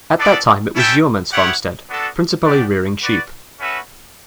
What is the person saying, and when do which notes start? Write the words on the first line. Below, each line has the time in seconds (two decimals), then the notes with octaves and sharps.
At that time it was a yeoman's farmstead, principally rearing sheep.
0.17 B3 D4 A4 D5
0.75 C#4 E4 A4 E5 G5
1.32 B3 E4 G4 C#5 F#5
1.88 B3 D4 F#4 A4
2.44 D4 G4 D5 F#5
3.01 F#4 B4 D5
3.58 A3 C#4 F#4 B4 E5